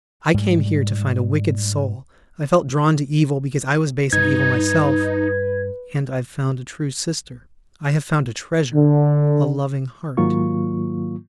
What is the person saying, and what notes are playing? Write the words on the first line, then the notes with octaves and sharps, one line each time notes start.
I came here to find a wicked soul--I felt drawn to evil because I was base and evil myself, and I've found a true sister, I have found a treasure--a loving heart.
G#2 G3
G2 D#4 B4 G#6
D3
G#2 D#3 F#3 A#3 F4 C#6